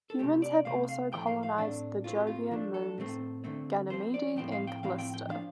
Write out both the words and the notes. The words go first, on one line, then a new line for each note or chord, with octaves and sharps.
Humans have also colonised the Jovian moons Ganymede and Callisto.
A4
C3 A3 C4 G4
D5
C3 A3 C4 F5
F5
A2 F3 A3 G5
F5
F5
A2 A3 C4 D4
A2 A3 C4 F4
G4
F4
F3 A3 D4
A4
A2 A3 C4
D3 A3 C4
F3 C4 C5
D5
A2 F3 C4 G5
F5
G5
A2 F3 C4 F5
G5
G5
F3 D4 F5